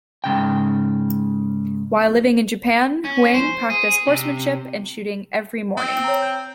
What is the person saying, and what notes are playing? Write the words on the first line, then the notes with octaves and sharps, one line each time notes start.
While living in Japan Huang practiced horsemanship and shooting every morning.
G#2 C#3 G5
C#4
C5
G#4
C3
C4
C#5 A#5
G6